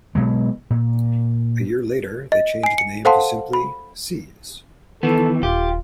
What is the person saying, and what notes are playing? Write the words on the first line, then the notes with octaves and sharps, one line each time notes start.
A year later, they changed the name to simply Seize.
B2 F#3 G#3
A#2
D#5
G#5 C7
C#7
A4 C5 F5 F#5 A5 C6
B5
D#3 E3 B3 A4
D#1 F4 G4